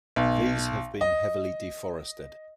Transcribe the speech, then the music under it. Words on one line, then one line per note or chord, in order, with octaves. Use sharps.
These have been heavily deforested.
B1
D#5